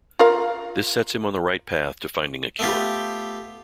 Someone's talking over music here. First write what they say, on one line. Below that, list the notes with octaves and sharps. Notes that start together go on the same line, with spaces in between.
This sets him on the right path to finding a cure.
F4 A#4 F5
A3 B3 F4 G4